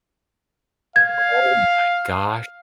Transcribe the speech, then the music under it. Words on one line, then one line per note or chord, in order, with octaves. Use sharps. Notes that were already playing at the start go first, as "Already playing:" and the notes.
Oh, my gosh.
F5 G#6